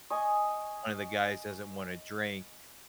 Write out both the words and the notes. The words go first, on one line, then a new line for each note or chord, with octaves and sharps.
one of the guys doesn't wanna drink,
D#5 G#5 C#6 D#6